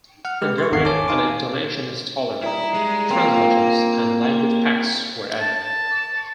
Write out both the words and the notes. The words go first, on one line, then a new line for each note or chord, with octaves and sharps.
Hungarian and Indonesian installer translations and language packs were added.
F#5 F6
G#3 G4 B4 F6
C6 C#6
G#1 E2 D#3 F5 F#5 C7
C#5 G#5 A5 D6
D#4 F5 G#5 C6 D6
G3 D#4 E4
G#3
A#3 C4 F4
A#5
A5